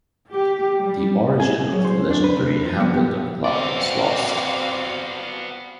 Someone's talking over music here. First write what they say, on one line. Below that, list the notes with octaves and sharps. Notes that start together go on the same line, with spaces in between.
The origin of the legendary Hambledon Club is lost.
G4
G3
G#4
F#3
C5
D4
B4
C3
F3
B3
G4
B3 C4 F#4 D5 F5